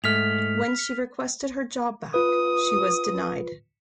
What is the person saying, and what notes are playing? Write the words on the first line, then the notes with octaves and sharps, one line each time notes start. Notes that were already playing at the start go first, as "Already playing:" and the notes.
When she requested her job back, she was denied.
G#2 A3 F6 B6 F7
F4 B4 D#6